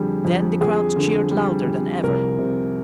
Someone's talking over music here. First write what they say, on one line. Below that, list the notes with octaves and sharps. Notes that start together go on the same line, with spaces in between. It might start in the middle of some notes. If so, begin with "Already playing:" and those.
Then the crowd cheered louder than ever.
Already playing: F2 D3 G3 G#4
F2
F2 G#4
D3
G3
F2
C2 A#4
C3